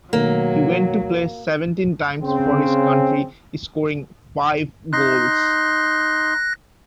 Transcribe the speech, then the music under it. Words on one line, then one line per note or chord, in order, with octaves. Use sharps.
He went on to play seventeen times for his country, scoring five goals.
B2 D#3 F#3 A3 A#3
C#3 C4
D#4 C6 F#6 A#6